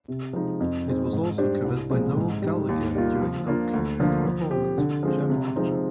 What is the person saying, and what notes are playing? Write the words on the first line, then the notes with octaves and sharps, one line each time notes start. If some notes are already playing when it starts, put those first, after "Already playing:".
It was also covered by Noel Gallagher during an acoustic performance with Gem Archer.
C3
F3 G#3 D#4
F2
D#3 G#3 C4
G#2
G3 D4 G4 C5
C2
A#2 F3 G#3 C4
G#2
D#3 G3
D#2
D#3 G3 A#3 F4
F3
A#3 D4 F4
D2
D3 F3 A#3 D4
F3
C4 G4
D3
F3 G#3 C4
C3
F3 G#3 C4 D#4